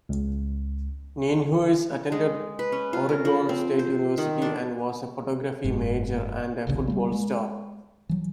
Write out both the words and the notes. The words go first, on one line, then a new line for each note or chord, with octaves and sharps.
Nienhuis attended Oregon State University and was a photography major and a football star.
C#2
G#3
B4
C#4
F4
A#4
F3
C4
C5
D#3
D4
F#1 G#2
D#1 A#1 D#2 C#3
G3 A3 A#3
G#3
E3 F#3